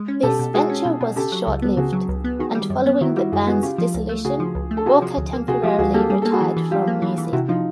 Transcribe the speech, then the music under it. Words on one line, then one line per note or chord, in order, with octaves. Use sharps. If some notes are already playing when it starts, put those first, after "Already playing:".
This venture was short-lived; and following the band's dissolution Walker temporarily retired from music.
Already playing: G#3
C#4
B2 G4 A4
B2
G#3 F#4 G#4
C#4
B2
B2
C#3 G4 A4
F#3
C#2
B3
C#3 F#4 G#4
F#3
C#2
B3
D#3 F#4 G#4
G3
F#2
B3
D#3 E4 F#4
G3 E4 F#4
F#2 F#4 G#4
B3 F#4 G#4
C#3 F4 G4
F3
C#2
A3
C#3 F#4 G#4
F3
C#2
A3
A4
C3 F#4 G#4
F3
D2
A#3
C3 F#4 G#4
F3 F4 G4
D2 F#4 G#4
A#3 G4 A4
G3 G#4
A#3 A4
F#4 G#4
E3
E3
G3 F4 G4
A#3
E3
E3
C3 E4 F#4
F3 D#4 F4